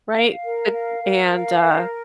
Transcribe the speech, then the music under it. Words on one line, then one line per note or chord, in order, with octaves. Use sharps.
right, eh and, uh,
F5
A#4
F5
A#4
F5
A#4